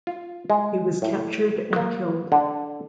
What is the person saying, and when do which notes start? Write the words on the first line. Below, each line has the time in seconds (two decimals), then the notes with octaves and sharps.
He was captured and killed.
0.07 F4
0.50 G#3
1.02 A2
1.76 A#3
2.32 D3